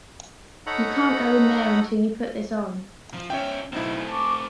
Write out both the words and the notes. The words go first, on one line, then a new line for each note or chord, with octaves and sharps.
You can’t go in there until you put this on.
D#4 A4 C#5 F#5 A#5 B5
F3
C#4 D#4 C#5 E5 G5
B1 A3 C4 D#4 E4
A5 C#6 D6